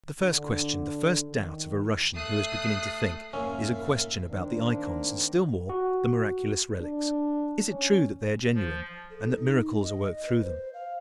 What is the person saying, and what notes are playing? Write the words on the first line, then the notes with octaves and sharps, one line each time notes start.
The first question, the first doubt of a Russian who is beginning to think, is a question about the ikons, and still more the miraculous relics: Is it true that they are genuine, and that miracles are worked through them?
D3
D#3
A3 D#6 F#6 C7
F1 G#2 A#3 C#4 A#4 E5 F5
D#3 A#3 C4 D4
F#4
D4
C#4
F3
A4
D#4
D#5
B4
C5
F5